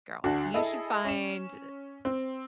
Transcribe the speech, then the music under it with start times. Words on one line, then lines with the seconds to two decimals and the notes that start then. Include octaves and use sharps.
girl, you should find,
0.24 D2 D4 F#4
0.54 E4 G#4 A4 D#5
1.05 C#4 E7
2.05 C4